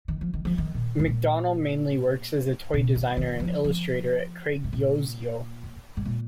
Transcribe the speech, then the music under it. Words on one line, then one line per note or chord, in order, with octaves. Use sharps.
McDonnell mainly works as a toy designer and illustrator at Craig Yoe's Yoe!
D#3
F3
D#3
F3
D#3
A#2
G#2
A#2
B2
D#3
D#3
F3
F3
G#2
A#2
G#2
A#2